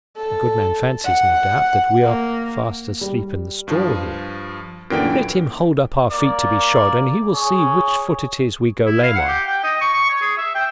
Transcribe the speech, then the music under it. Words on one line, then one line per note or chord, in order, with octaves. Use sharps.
The good man fancies, no doubt, that we are fast asleep in the straw here, but let him hold up our feet to be shod and he will see which foot it is we go lame on.
A4
F#5
A#3
G3 G4
G2 F3
F#2 A#2 D3 E3 G5 D7
A#3 D5
G#4 C#5
E4
F5
F#5
G4
G5
D#5
C#6
C#6
C#5
G#4
E5
G5